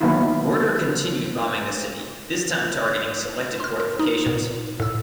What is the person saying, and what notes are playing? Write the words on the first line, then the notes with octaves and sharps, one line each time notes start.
Werder continued bombing the city, this time targeting selected fortifications.
D#3 F#3 A#3 B3 E4 F4
C6 F6
A#4
D#4
A#2
A2 E6